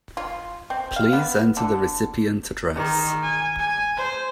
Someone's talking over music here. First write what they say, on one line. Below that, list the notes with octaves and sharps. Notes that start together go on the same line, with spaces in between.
Please enter the recipient address.
F4
C4
F5
B3
D3
D#3
G#5
G#5
C5